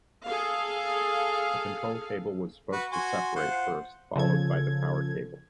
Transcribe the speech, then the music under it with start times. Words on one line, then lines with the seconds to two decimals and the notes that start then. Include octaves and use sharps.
The control cable was supposed to separate first, followed by the power cable.
0.24 G#4 A4 F5
2.72 F#4 B4
2.92 F#4 G#5 C6
3.36 F4 C5 F#5
4.16 C#3 F3 A4 G#6